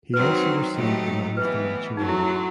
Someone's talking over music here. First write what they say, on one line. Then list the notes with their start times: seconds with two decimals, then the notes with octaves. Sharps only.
He also received the man of the match award.
0.13 D#3 F#3 C4 B4
0.75 A2 F#3 A3 D#4 G4
1.37 A2 E3 B3 B4
1.97 F#2 F#3 A3 D#4
2.09 E4
2.19 E4
2.29 F#4